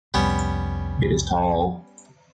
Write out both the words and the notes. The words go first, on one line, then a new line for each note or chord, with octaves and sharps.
It is tall.
C2 F2 G3 B3 C#4